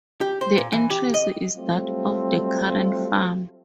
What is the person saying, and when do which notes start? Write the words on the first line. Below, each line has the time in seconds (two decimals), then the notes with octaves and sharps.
The entrance is that of the current farm.
0.21 G4
0.41 C5
0.58 A#2
0.72 E3
0.90 G4
1.14 D#5
1.54 F#3 G3 A3 C4 F4